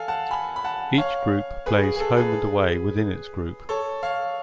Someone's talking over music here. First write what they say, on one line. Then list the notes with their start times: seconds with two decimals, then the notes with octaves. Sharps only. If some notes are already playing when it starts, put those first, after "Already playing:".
Each group plays home-and-away within its group.
Already playing: A4 F5 G#5
0.08 F#5 A5
0.31 G#5 B5
0.56 B5
0.64 F#5 A5
0.98 C#5 F5
1.66 G#4 B4
1.83 G#4
1.95 G#4
2.00 A4
2.17 G#4 B4
3.69 A4 C#5
4.03 C#5 F5